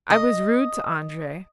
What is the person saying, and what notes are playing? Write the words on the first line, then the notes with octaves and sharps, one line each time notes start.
"I was rude to Andrey!"
D#5